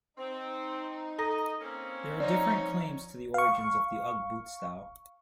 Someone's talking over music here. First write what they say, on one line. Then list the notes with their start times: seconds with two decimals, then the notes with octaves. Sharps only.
There are different claims to the origins of the ugg boot style.
0.18 C4 D#4
1.18 A4 D#5 A#5 A#6
1.61 A#3 C4 C#4
2.20 F3 D#4 C#5 D5
3.34 F5 C#6